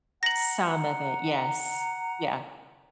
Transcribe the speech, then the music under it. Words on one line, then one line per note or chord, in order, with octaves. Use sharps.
Some of it, yes, yeah.
F#5 A#5 A#6 F#7